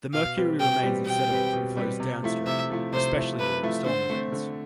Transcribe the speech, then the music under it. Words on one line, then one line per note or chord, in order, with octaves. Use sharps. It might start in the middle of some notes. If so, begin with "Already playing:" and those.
The mercury remains in sediment and flows downstream, especially during storm events.
B2 F5
G3 C4 G4 B4
B2 G5
G3 C4 G4 B4
B2 G5
G3 C4 G4 B4
B2
G3 C4 G4 B4
C3
F3 A3 E4
C3 E5
F3 A3 E4
C3 C5
F3 A3 E4
C3 B4
F3 A3 E4
D3 C5
A3 C4
D3